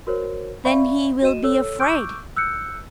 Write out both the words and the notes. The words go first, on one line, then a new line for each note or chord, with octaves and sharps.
Then he will be afraid!
F#4 A#4 C5 C#5
D5 E5 F5 B5 C#6
F#4 D#5 D#7 E7
A4 C#5 E6
C#6 D6 E6 F#6 G6 D7
E6 F#6 G6 C#7